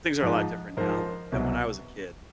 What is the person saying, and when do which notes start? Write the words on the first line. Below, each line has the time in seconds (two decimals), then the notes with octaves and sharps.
Things are a lot different now than than when I was a kid,
0.22 G#2 F3
0.77 G#2 F3 A#4 C5
1.32 C2 B2 F#3